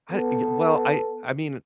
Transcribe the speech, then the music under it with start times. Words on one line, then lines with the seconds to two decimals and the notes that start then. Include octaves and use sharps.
I y well, I I mean,
0.12 B3 A4